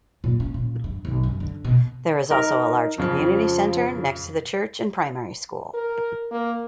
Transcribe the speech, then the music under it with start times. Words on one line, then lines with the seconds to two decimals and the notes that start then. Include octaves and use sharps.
There is also a large community centre next to the church and primary school.
0.24 A#2
0.40 C#4
0.54 A#2
0.84 G2
1.05 B1
1.23 F#2
1.40 D3
1.65 B2
2.31 D#4 A#4
2.98 F2 C#3 F3
5.74 A#4
6.31 A#3